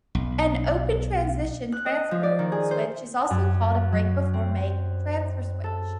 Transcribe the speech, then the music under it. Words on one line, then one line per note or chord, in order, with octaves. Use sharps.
An open transition transfer switch is also called a break-before-make transfer switch.
B1
F#6
D#5
F3
D5
D#3
G#4
C5
F#2
F#3
C4
A4